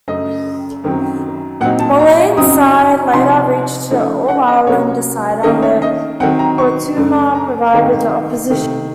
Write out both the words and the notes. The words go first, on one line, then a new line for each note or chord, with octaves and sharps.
Mullane's side later reached the All-Ireland decider where Portumna provided the opposition.
F#2 C#3 A3 D#5
F#2 D#3 F#3 C4
A#2 F#3 C4 D#4 F#5
A5
A#5
F#2 C#3 F#3 C4 D#4 D#6
C3 F3 C4 D#4 C6
C#3 F3 A3 D#4
F#5
D#5
C3 F#3 A#3 C#4 C#5
D#3 A#3 C#4 D#5
C#5
D#5
D#3 F#3 C4 F#5
A#5
C#6
F#2 C#3 A3
A#5
D#3 A3 C4 D#4
C3 D#3 A3